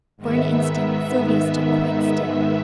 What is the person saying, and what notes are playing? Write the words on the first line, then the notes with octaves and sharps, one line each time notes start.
For an instant Sylvia stood quite still.
G#2 D#3 B3 E5